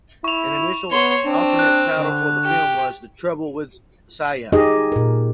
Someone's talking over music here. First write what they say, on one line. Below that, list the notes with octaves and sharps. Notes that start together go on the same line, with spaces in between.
An initial alternate title for the film was "The Trouble with Siya".
E4 C#6 F7
B3 C#5 C6
C4 D4
F#6
D3
G4
D#4 G4 G#4 D#5
A#2 A#4